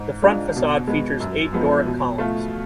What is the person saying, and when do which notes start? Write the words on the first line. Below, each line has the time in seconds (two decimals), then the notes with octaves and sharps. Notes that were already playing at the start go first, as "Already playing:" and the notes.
The front facade features eight Doric columns.
Already playing: G#2
0.22 G#3 D4 F4
0.56 B2
0.87 G#3 B3
1.20 F#2
1.53 F3 G#3 B3
1.86 B2
2.18 A3 F4